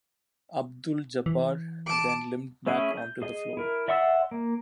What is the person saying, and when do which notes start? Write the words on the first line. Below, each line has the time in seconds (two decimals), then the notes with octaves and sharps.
Abdul-Jabbar then limped back onto the floor.
1.26 E3
1.86 A5 D6
2.66 A3 C#4 E4 G#4
2.97 G6
3.22 G#4 D#5
3.57 E4 A#4
3.88 D5 E5 F#5 C6 E6
4.31 A#3